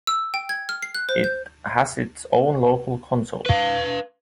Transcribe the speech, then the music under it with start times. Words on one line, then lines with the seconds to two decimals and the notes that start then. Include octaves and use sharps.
It has its own local council.
0.07 E6
0.34 G5
0.49 G#6
0.69 F6
0.82 C7
0.95 F#6
1.09 C5
1.24 G6
3.46 B4 F5